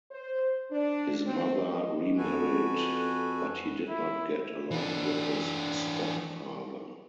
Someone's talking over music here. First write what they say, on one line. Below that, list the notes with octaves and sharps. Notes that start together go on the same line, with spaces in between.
His mother remarried, but he did not get along with his stepfather.
C5
D4
C4
D#5
F2 F#4 A4 B4 G#5
E4
E3 D4